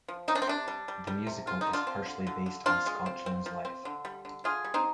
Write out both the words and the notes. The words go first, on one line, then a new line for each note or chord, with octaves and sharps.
The musical is partially based on Schalchlin's life.
F3
C4 D#4
D4
C4
C3 D4
G3
G3
G3
C3
C4 F4
D#4
D3
D4 F4
C4
D3
D3
D3
C4 D4 F4
G#3
C4
C4
F3
C4
D3
G3
D3
D3 F4 G#4
G3
C4 D#4